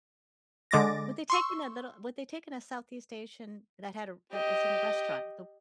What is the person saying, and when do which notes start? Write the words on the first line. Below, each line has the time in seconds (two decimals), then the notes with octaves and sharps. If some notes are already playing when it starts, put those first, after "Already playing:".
Would they take in a little would they take in a Southeast Asian that had a that is in the restaurant the
0.71 D3 G#3 D6 A6 A#6
1.30 C6 C#6 E6
4.33 G4 D#5